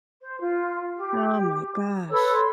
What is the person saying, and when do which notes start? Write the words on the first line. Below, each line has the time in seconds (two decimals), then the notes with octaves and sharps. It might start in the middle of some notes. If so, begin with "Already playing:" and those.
Oh my gosh.
0.22 C5
0.40 F4
0.96 G4
2.10 A4 B4 C#5 E6
2.32 C6